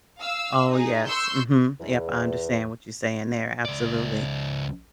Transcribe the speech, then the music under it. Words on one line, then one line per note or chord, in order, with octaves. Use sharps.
Oh, yes, mhm, yep, I understand what you're saying there, absolutely.
F5 E6
D#4 G#4
C6 C#6 E6 G6
E2
C#2 D5